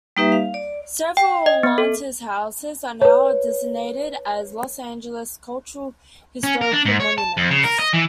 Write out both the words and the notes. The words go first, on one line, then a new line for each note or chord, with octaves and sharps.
Several of Lautner's houses are now designated as Los Angeles Cultural-Historical Monuments.
G3 A#3 D#4 G4 B4 E5
F5
D5
G5
D#5
B3
A4
B4 C#5
C#4
A#4
D4
G#2
C#5
A5
F2
C#3
A#4
D#5
E3